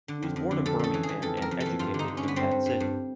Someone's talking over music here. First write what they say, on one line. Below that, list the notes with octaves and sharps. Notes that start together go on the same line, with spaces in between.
He was born in Birmingham and educated in that city.
D3
F2
F2
D3
F2 A4
C#3 A4
E3
G#4
E3
F2 A4
F2
A#4
F2
A4
E3
G2 F4
D3
D#4
D3
C#4
D3 B3
G2 C4
G2
G2
G2